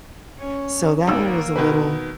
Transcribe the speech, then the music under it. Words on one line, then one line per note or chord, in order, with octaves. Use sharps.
so that one was a little
C#4 C#5
G#1 D#2 A#3 A#4 E6
B2 D#3 B4